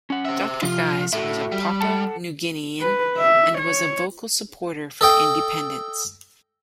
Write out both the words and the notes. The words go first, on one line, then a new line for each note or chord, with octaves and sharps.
Dr. Guise was a Papua New Guinean and was a vocal supporter for independence.
C#4 F#5
C5 E5
C3 F3 F4
A2 F#4 A4 E5
G3
A4 F#5 A5
B4
E5
C#5
A4 D#5 G5